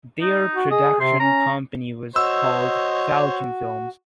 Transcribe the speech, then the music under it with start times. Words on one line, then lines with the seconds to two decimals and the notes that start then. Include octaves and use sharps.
Their production company was called Falcon Films.
0.21 D#4
0.55 F#4
0.71 G#4 D#5
1.00 C3 C6
1.20 C#4 A#5
2.16 F#4 C5 C#5 D#5 E6